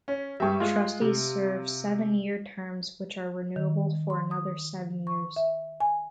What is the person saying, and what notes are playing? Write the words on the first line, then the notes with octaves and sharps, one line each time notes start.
Trustees serve seven-year terms, which are renewable for another seven years.
C#4
G2 G3 E5 C#6
G#3 F4
C3
D#3
C6
D#6
C#6
E5
G#5